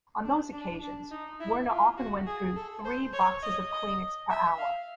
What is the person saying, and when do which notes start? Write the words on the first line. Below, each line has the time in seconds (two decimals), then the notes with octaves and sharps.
On those occasions, Werner often went through three boxes of Kleenex per hour.
0.24 D4
0.53 D4
0.82 D4
1.11 D#4
1.41 E4
1.69 F4
1.97 F#4
2.27 G#4
2.56 A4
2.85 C5
3.13 C#5
3.43 D#5
3.71 D#5
4.30 E5
4.58 F5